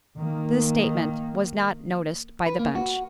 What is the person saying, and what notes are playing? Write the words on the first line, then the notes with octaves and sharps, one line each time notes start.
This statement was not noticed by the bench.
D#3 A#3
B4
A#3
F#4